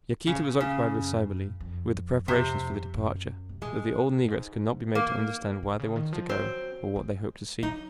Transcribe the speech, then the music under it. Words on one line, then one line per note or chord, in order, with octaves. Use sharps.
Yaquita was occupied with Cybele with the preparations for the departure, though the old negress could not be made to understand why they wanted to go or what they hoped to see.
A#2 C#3
C#3
F#2
F2
F2 C3
F#2
C3
A#2 G#3
F#2
G#2
A#3
C3
C#3
D#3
F3
F#3 C4
G#3
F#3 D#4